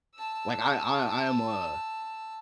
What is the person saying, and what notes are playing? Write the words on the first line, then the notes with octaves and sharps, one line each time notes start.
Like, I I I am a
A5 E6